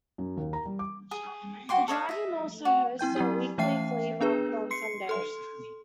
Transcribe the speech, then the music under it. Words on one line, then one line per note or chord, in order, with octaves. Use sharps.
The drive-in also hosts a weekly flea market on Sundays.
F#2
D#2
A#5
G3
D6
G#4
F#4 G5 C6 D6
A4 C#5 D#5 F5
D#5 E5
F#4
C4 E4 G5 G6
F#3 C4 E4 G4
E3 A3 C#4 E5 G5 C7
B3 D4 G#4 B4
C6 C7 C#7
A4 C6